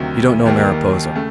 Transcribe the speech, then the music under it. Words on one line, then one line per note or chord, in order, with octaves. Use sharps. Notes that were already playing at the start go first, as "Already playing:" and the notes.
You don't know Mariposa.
Already playing: D2 C3 D#3 F#3
D#2 D#3 G3 A#3
C#3 A3